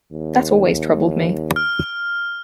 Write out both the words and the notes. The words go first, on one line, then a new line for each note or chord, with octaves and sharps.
That always troubled me.
D#2
F6